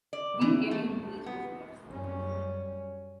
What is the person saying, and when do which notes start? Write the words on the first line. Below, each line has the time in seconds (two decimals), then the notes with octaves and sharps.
Being heavy on the beach is worse.
0.13 D5
0.41 E3
0.71 A3
1.26 B3
1.89 F#2 G3 C#4